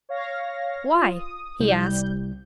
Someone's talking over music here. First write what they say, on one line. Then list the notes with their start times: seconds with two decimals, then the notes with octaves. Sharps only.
"Why?" he asked.
0.09 C#5 F5 A#6
0.94 F4
1.12 D#6
1.60 C2 G3 G6